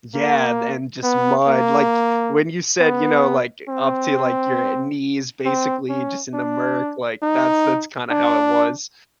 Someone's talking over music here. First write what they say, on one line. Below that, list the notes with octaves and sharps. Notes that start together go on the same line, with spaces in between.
Yeah, and and just mud, like, when you said, you know, like, up to, like, your, uh, knees, basically, just in the murk, like, that's that's kinda how it was.
A#3
B3
A#3
B3
C4
C4
C#4
D4
D#4
D4